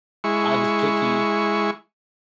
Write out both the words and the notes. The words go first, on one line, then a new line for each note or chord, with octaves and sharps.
I was picky,
G#3 E4 C#6